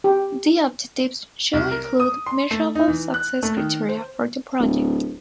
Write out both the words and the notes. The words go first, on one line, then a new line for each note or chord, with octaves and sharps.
The objectives should include measurable success criteria for the project.
G4
C2
A#4
D#6
C6
A3
D#4
E3
F#6
A3
D#3
C5
D1